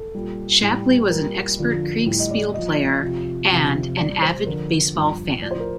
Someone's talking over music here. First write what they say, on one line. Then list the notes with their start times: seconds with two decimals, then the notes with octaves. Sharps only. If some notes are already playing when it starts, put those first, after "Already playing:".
Shapley was an expert Kriegspiel player, and an avid baseball fan.
Already playing: A4
0.15 A#2 G3
0.62 A2 G3
1.10 A#2 G3 A#4
1.59 F2 D3 F3
2.06 A2 G3
2.20 D#5
2.31 D5
2.54 A#2 F3 D#5
3.02 F2 C3 F3
3.51 F2 C3 F3
3.97 A#2 G3 D5
4.22 C5
4.45 F2 D3 F3 A#4
4.94 G2 F3
5.42 A2 F3 D5
5.51 C5
5.60 A#4